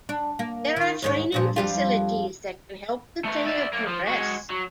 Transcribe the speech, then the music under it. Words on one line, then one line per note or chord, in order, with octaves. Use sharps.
There are training facilities that can help the player progress.
D4
A#3
D#3
D#2 G#2 C#5
G2 A#2 F3
F2 G3 F4
A3 B4
D5 E5
F#2 A#3
F3
G#3 F#4
F#3